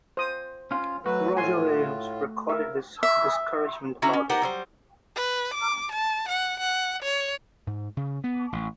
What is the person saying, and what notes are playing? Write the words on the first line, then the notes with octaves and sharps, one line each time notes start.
Roger Williams recorded his discouragement about it.
C5 D#6
C#4 F4
F#3 A3 F#4 B4
A2 F4 G#5 C6
A#4 E5
E5
D3 C#4 E4 F#4 A#5
C#4
B3 D#4 G4 A#4 C5 F#5
F#3 G3 C5
B4
D6
A5
F#5
F#5
C#5
G#2
C#3
B3
A1